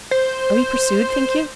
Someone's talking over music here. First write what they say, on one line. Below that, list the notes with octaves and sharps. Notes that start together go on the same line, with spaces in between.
Are we pursued, think you?
C5